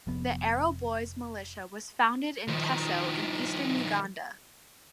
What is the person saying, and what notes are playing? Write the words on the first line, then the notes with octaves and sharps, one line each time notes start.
The Arrow Boys militia was founded in Teso in eastern Uganda.
F1 F2 B3
D#3 F3